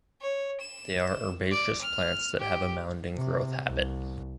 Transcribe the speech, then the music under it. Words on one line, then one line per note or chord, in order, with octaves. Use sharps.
They are herbaceous plants have a mounding growth habit.
C#5
E7
D5
F6
G4
C3
C2